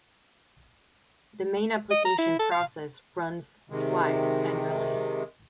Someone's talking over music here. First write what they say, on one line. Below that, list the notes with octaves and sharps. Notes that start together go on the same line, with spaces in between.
The main application process runs twice annually.
D#5
A#5
E4
A4
F5
C3 D#3 G#3